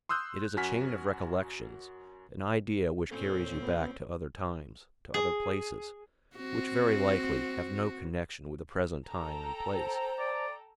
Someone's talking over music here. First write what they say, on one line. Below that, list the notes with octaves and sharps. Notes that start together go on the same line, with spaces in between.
It is a chain of recollections--an idea which carries you back to other times, to other places--which, very likely, have no connection with the present time and place.
C6 D#6 E6 F#6 G6
F#2 F#4 G#5 F6 B6
A#2 C4 C#4 A4
B3
G#4
C4 F#4
A4 G5 A#5
C5
D5